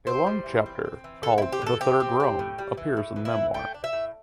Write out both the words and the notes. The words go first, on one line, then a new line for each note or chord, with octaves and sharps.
A long chapter called "The Third Rome" appears in the memoir.
C4 C5
G3
E3
C4
C4
E3
D3 A4
E4
C4
G4
D3 A4
C4 G4
C4
C4
A2
G3
E3
A2
E3
E4
E3
A3 G5
D4
E5
A2